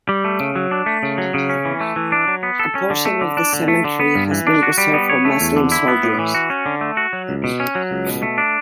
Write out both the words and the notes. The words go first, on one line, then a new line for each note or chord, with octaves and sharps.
A portion of the cemetery has been reserved for Muslim soldiers.
G3
A3
C#3
F#3
D4
A3
C#3
F#3
C#3
C#4
E3
A3
E3
D4
F#3
B3
A4
C#4
D3
A3
D3
D4
D3
A3
D3
B3
G2
E3
D4
F#4
G3
B3
C#5
A3
E2
D3
E4
B3
A2
E3
F#4
C#4
D3
A3
F#4
F#3
C#2
B2
C#4
F#3
C#2
B2
A3
D4